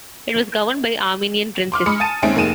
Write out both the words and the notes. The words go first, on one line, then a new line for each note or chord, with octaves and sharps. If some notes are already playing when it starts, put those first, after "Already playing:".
It was governed by Armenian princes.
C6 D6 F6
G#3 B5 D#6 C#7
G#5 A5 A6 D#7
D#2 G#3 C4 C#4 E5 D7
F1 A#3 D#4 G#4 D#7 E7